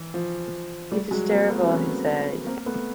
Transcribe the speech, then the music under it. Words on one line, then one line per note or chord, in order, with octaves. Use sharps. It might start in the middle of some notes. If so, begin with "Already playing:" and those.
"It is terrible," he said.
Already playing: E3
F3
G3 A3
F#3 G#3
A#3 C4
A3 B3
C4
B3 C#4
A#3 C4
A3 B3